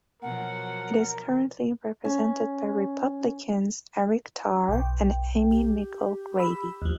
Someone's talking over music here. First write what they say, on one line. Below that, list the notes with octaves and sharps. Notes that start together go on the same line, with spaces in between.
It is currently represented by Republicans Eric Tarr and Amy Nichole Grady.
B2 F3 F#3 A#4 F#5
C#4
B1 G5
G4
B5 E6
D#2 F3